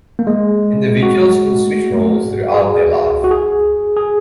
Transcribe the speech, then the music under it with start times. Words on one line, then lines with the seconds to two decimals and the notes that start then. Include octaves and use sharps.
Individuals can switch roles throughout their life.
0.19 A#3
0.27 G#3
1.03 F#4
2.54 G#4
3.24 F#4
3.31 G#4
3.97 G#4